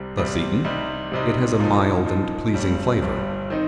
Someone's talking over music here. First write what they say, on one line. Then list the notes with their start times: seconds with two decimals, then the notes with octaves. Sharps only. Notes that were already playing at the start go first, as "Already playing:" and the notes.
Thus eaten, it has a mild and pleasing flavour.
Already playing: C2 C3 G3
0.17 C2 C3 G3
0.64 C2 C3 G3 D#4
1.11 C2 C3 G3 D#4
1.60 A#2 F3 D#4
2.06 A#2 F3 D#4
2.54 G1 G2 G3
3.01 G1 G2 G3
3.50 D#3 C4 D#4